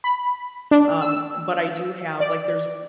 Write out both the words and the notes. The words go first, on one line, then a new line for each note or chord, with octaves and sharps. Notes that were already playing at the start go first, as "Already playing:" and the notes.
um, but I do have like, there's o
B5
D4
E6
D5